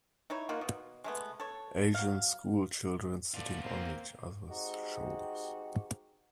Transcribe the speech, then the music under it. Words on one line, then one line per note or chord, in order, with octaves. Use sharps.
Asian school children sitting on each others shoulders.
D#4 E4 C#5
A#3 D#4 F4 F#4
B2
G#3 A3 B3
A4 C#5
F#3 F5
A3 B3 F4 D5
A#3 C4
G#3 C4 D#4 F#4 G4